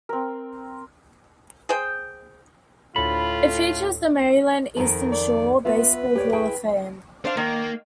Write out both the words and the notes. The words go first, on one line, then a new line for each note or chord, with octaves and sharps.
It features the Maryland Eastern Shore Baseball Hall of Fame.
C4 A#4
G#4 C5 G5
D2 A2 F4 A4 B5
F2 D#3 A#4
D5
B3 F4 B4 E5
G4 C#5 D5
E4 G#4 G5
D4 C5 F5
D#3 A#3